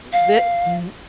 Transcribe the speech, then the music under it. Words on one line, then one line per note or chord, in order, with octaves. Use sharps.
Thi th
F5